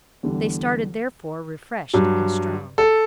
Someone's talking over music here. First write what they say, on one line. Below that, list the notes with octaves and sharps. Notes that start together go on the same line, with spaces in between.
They started, therefore, refreshed and strong.
E2 D3 G3
G2 F#3
A4